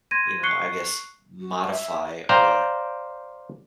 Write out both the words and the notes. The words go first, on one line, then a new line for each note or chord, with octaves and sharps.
you know, I guess, modify, or,
C6 G#6 A#6 D#7
C#6 F#6 C7 C#7 G7
F#4
E5
C5 D5 F5 G5 A#5